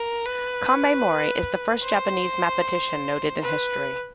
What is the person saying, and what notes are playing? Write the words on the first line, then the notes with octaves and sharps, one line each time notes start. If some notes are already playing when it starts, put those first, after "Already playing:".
Kambei Mori is the first Japanese mathematician noted in history.
Already playing: A#4
B4
C5
B4